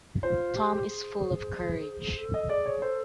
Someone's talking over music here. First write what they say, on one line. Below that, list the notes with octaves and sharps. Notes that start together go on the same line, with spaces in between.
Tom is full of courage.
F4 C5
G4
G#4
A4
D#5
G#4 D5
C#5
A4 C5